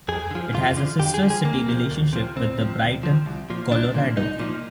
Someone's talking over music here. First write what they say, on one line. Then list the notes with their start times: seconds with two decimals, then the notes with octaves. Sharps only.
It has a sister city relationship with Brighton, Colorado.
0.08 F2 G#4
0.31 D3
0.35 F3
0.54 F2 F4
0.77 D3 F3
0.99 F2 G4
1.14 G#4
1.22 D3 F3
1.30 G#4
1.45 D2 A#3
1.68 C3 F3
1.91 D2
2.13 C3 F3
2.36 D2 C4
2.58 C3 F3
2.81 D2
3.03 C3 F3
3.26 C2
3.50 A#2 F3
3.72 C2 D4
3.94 A#2 F3
4.17 C2 D#4
4.40 A#2 F3